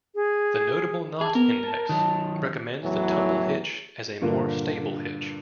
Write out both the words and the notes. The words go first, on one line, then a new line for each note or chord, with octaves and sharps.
The Notable Knot Index recommends the tumble hitch as a more stable hitch.
G#4
G#4 A5
B3 A#4
A5
D#3 F#3
E2 A2 E3 F#3
G2 A#2 D3 A#3